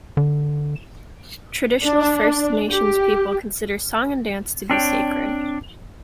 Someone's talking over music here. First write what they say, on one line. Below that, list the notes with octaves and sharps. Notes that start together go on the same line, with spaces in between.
Traditional First Nations people consider song and dance to be sacred.
D3
D4
G4
C4 D4 C#5 G5